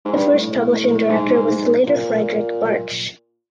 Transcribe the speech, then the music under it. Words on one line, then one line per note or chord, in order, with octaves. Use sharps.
The first publishing director was the later Friedrich Bartsch.
G#2
G2
A2
G#2
G#2
G#2
A#2